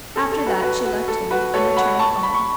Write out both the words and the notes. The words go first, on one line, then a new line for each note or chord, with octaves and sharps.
After that she left him, and returned home.
A4
A4
F#4 B4
F#4 B4
F#4
A4
F#4 B4
A4 C#5
F#5 B5
A5 C#6
B5
C#6